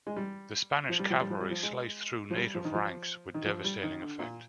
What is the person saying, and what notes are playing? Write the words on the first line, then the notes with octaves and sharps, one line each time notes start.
The Spanish cavalry sliced through native ranks with devastating effect.
G#3
G3
F3
G3
F3
G3
F3
G3
F3
G#3
F3
G3
F3
D#3
F3
D#3
F3
G3
D#3
D3
A#2